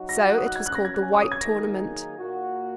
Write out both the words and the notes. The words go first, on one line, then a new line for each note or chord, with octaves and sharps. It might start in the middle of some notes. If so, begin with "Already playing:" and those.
So it was called the White Tournament.
Already playing: F#3 D#4 F#4
A#6
F#6
D#6
F#6
G#6
F#2 F#3 C#4 F#6
A#6
G#6
F#6
G#5
C#6
D#6
G#6
D#3 F#3 A#3 D#4 G#4 A#6
A#2 A#3 F#4